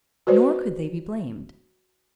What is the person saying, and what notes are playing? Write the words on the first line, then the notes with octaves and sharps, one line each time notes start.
Nor could they be blamed.
F#4 B4 C5 D5